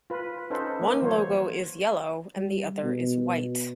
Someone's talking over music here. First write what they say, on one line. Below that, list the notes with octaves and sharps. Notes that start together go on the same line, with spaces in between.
One logo is yellow and the other is white.
F4 B4
C#4 D#4 A4 B4 C5
A#3
E3 F#3 C5 C#5
G3
B2